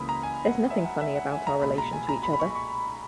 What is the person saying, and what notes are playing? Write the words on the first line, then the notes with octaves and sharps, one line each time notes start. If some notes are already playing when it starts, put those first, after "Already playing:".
There's nothing funny about our relation to each other.
Already playing: C#2 C#3 E3 A#3 C#4 B5 D#6
A#5
G#5
F#5
E5
F#5
E5
F#5
G#5
A#5
B1 A#2 G#3 B5
A#5
G#5
A#5
B5
B5
C#6
C#6